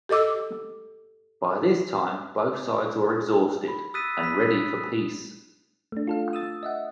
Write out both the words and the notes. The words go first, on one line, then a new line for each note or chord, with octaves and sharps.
By this time both sides were exhausted and ready for peace.
G4 A4 D#5 D6 E6
B5
D#6 E6 F#6 A6 B6 D#7
B5 B6
A3 D4
F4 A4 F5
D#6 E6 A6
D#5 E5 F#5